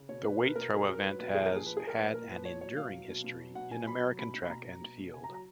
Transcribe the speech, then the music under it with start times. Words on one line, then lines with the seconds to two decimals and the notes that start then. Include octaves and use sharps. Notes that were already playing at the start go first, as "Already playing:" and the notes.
The weight throw event has had an enduring history in American track and field.
Already playing: C#3
0.09 B2 C#5
0.25 B2 B4
0.40 B2 A#4
0.48 B4
0.55 B2 A#4
0.72 F#3 G#4
0.88 F#3 A#4
1.03 F#3 B4
1.19 B2 B4
1.35 F3 G#4
1.46 A#4
1.50 A#2
1.56 G#4
1.66 F3 B4
1.77 G#4
1.82 F3
1.87 A#4
1.97 A#2 B4
2.14 A#2 A#4
2.30 F3 B4
2.45 A#2 C#5
2.61 F#3 C#5
2.76 B2 F5
2.93 F#3
3.08 B2
3.24 B2
3.40 F#3
3.55 B2 F#5
3.71 B2 G#5
3.87 F#3 B5
4.03 F#3
4.19 B2 B5
4.34 B2
4.45 B5
4.50 B2 A#5
4.66 F#3
4.82 B2
4.98 B2
5.13 C#3 G#5
5.24 A#5
5.29 F#3
5.34 A#5